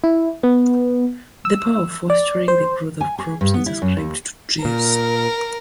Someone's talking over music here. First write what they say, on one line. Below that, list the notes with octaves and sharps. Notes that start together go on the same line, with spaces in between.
The power of fostering the growth of crops is ascribed to trees.
E4
B3
E6
D5
C5
G#5
G#4
G2
B3
E4
F#2
D#2
A#2 A#4